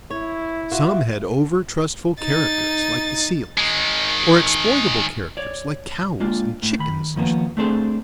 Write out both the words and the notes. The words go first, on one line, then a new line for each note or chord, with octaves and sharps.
Some had over-trustful characters, like the seals; or exploitable characters, like cows, and chickens, and sheep.
E4 C#5
F4 F#4 E5
D#4 A6
D#3 G#3
C#5 D5
G#3 A#3 D4 F4
A2
D#3 B5
D#3 F3 A#3 B3
A3 C4 D4 G#4 A4 C5